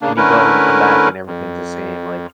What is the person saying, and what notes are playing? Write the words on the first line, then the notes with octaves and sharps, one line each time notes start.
and you go and come back and everything's the same, like
C#3 A#3 D4
D3 A3 C#4 E4 A#4 B4
F2